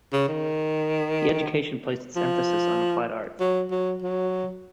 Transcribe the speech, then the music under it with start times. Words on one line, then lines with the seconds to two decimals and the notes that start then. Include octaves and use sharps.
The education placed its emphasis on applied arts.
0.13 C#3
0.28 D#3
2.16 F3
3.40 F#3
3.71 F#3
4.02 F#3